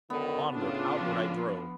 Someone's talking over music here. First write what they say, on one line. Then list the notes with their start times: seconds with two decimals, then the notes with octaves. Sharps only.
Onward, outward, I drove.
0.10 F#2 D3 D#3 B3
0.52 A2 C#3 D4 F4
0.95 F3